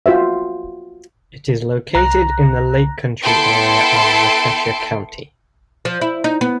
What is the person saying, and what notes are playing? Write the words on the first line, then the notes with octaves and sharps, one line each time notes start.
It is located in the "Lake Country" area of Waukesha County.
F4 F#4 C5 E5
C2 A#5 F#6 A#6
B3 E4 A4 G5 C6 D7
F3
E4
D#4
B3